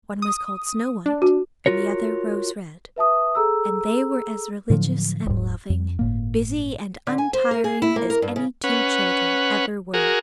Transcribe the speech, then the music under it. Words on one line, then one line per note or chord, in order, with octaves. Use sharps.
One was called Snow-White, and the other Rose-Red; and they were as religious and loving, busy and untiring, as any two children ever were.
D#6
D4
F#4
F4 F#4 A#4 C#5
B4 E5 A5 D#6
G#4 A4 A#5 E6
A2 D3 F3 F#3
D#1 G#2
F2
G1 A2 A#3
D3
G#5
C5
A#4
G#4
E4
A#3
A#4
G2
C#3
C#4 B4 F#5
F#4 G#4 A#4